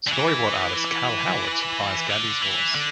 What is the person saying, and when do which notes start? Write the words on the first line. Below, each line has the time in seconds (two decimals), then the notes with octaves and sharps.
Storyboard artist Cal Howard supplies Gabby's voice.
0.07 D3
0.12 E3
2.09 D3
2.42 E3
2.75 D3